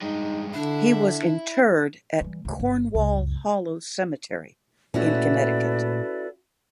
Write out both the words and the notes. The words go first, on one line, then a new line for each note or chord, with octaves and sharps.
He was interred at Cornwall Hollow Cemetery in Connecticut.
G2 G#3 D#4
D3 D4 E4
E3 G3
D2 C#3
G1
C#2 F#2
A#2 A3 C#4 E4 F#4 A4 B4 D5